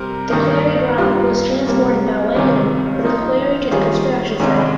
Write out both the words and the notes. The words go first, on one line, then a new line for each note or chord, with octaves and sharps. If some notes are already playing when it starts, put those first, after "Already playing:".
The quarried rock was transported by wagon from the quarry to the construction site.
Already playing: C3 G3 C4 A#4
G2 D#3 A#3 D#4 A#4
G2 G3 A#3 F4
C3 G3 A#3
C#2 C3 D#3 G3 C#4
F3 A#3 D#4
D#3 G3 C#4 F4 G#4
C2 C3 D#3 G#3 C#4